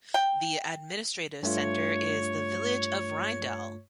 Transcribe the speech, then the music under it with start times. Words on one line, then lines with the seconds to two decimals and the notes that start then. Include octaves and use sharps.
The administrative centre is the village of Rindal.
0.14 G5
1.43 G2 A3 F4 C#5